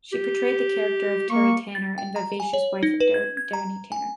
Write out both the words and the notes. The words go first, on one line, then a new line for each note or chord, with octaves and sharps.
She portrayed the character of Teri Tanner, the vivacious wife of Danny Tanner.
G4
A#3 C#6
A6
G5
A#5
G#5
C#5
D#4
B4
G#6
G#6
A#5
G#5